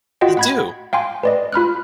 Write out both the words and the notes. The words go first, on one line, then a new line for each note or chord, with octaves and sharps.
They do.
F4 F#4 D#5 F#5 G5
F#5 B5 G#6
F5 G5 G#5 C6
B4 D5 D#5
F4 B5 F6 F#6